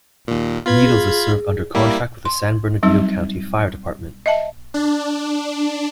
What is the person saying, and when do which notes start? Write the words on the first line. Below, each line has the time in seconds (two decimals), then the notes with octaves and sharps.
Needles is served under contract with the San Bernardino County Fire Department.
0.28 D#2 A#2
0.66 B3 F4 B4 B5 G#6
0.86 G#4
1.74 G3 A#3 E4
2.25 C6
2.83 F#3 G3 C4 D#4
4.26 D#5 E5 A5
4.74 D4